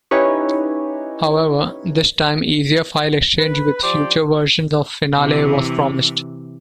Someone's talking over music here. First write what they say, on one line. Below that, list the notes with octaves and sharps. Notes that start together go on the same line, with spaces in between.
However, this time easier file exchange with future versions of Finale was promised.
C#4 D#4 E4 G4 B4 C#5
B4
F3 G4 C5 D5
C3 E3